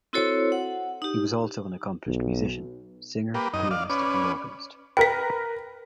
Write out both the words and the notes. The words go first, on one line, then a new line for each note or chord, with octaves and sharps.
He was also an accomplished musician - singer, pianist and organist.
C4 E4 F#4 A4 C5 C#5
F#5
D#4 G4
B1
A#3 G4 B4
F#2 D#4 D#5
D5 F5
C#4 B4 D5
A#4 B4 G5 B6